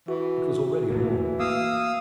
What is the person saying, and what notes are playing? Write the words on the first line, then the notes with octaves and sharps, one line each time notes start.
It was already warm.
E3 F#4
D2 A2 E3 A#3
A#3 F5 D#6 E6